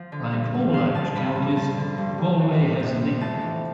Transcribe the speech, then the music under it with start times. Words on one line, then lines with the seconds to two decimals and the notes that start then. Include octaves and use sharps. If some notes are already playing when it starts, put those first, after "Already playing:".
Like all Irish counties Galway has a nickname.
Already playing: F3
0.12 D3
0.32 G2
0.54 G2
0.73 F3 F5
0.94 D3 A5
1.15 G2 B5
1.35 G2
1.56 F3 A5
1.77 D3
1.98 G2
2.18 G2
2.39 E3
2.59 C3
2.80 F2
3.01 F2
3.21 A2 A5
3.41 E3